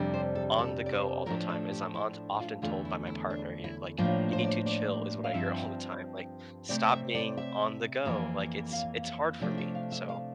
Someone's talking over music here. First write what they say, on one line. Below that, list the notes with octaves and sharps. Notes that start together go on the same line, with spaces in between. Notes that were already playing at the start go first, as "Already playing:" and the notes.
on the go all the time. As I'm on often told by my partner, you n like, "you need to chill," is what I hear all the time, like, "stop being on the go," like, it's it's hard for me. So,
Already playing: F2 C3 G3 D4
C5
A4
A4
D5
C5
A2 F3 A3 D4 A#4
A4
G4
E4
F4
E2 D3 A3 F4
E4
E4
D4
E4
A2 F3 A#3 D4 F4
C5
D5
D5
F5
G2 F3 C4 E5
C3 E3 A3 C4 D5
E5
D5
E5
F2 E3 A#3
F5
E5
C3 F3 A3 D4 D5
E5
F5
E5
F5